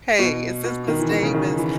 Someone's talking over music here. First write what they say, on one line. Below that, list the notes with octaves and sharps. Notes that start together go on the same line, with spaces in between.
"Hey, is this Ms. Davis?"
B2
B2
D#3
E3
D#3
C#3
D#3
E3